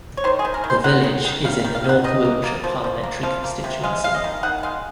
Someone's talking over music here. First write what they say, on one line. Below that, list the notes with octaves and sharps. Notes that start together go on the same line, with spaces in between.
The village is in the North Wiltshire parliamentary constituency.
C#5
D#3 C5
G#4
D#3
A#4
D#3
C5
D#3 F#5
D#3
D#3
D#3 F5
F5
D#3
F5
D#3 F#5
D#3 D#5
A#3
A#3
F3
F3
A#3
F3 F5
A#3
C3
G#3 F5
G#3 F5
D#5
D#3
D#3 F#5
G#3 F5